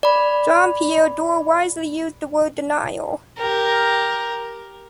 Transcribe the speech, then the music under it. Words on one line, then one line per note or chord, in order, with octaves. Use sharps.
Jean-Pierre Door wisely used the word «denial».
D5 B5
G4 A#4